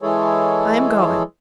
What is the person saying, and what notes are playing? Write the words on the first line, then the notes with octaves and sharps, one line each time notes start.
I am going.
E3 G#3 E4 G#4 A4 C#5